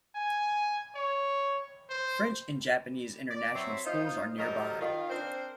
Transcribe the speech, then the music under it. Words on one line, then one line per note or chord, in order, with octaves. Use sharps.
French and Japanese International Schools are nearby.
G#5
C#5
C5
D5
F#3 C4 C#5 E5
D#4 F4 C5
F#3 G3 A4 A#4 C5 D#5
D#3 F4
C4 D4 A#4 C5